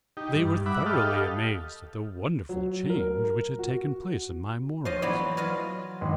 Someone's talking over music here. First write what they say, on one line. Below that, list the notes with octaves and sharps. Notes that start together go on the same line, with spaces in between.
They were thoroughly amazed at the wonderful change which had taken place in my morals.
D#4 G4
G2
E5 F#5 B5 D6
G4 A4 D#5 F5
F#3
A#4
F#4
F3 F4 C5 C#5 D#5
E3 F#3 B3 D5
F#3 F4 D#5
G#1